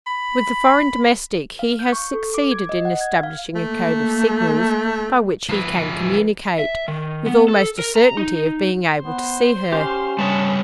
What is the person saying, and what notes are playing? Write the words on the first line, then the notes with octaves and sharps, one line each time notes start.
With the foreign domestic he has succeeded in establishing a code of signals, by which he can communicate--with almost a certainty of being able to see her.
B5
F5
G6
C#6
A4
D6
G#6
D#5
F#5
G#6
F5
A3 A#3
F3 B4
E5
D#3
B3
A4
A#4
A#5
D#4
B3 C5 C6
C#4 G4 F5
G3 B4 C#5 A5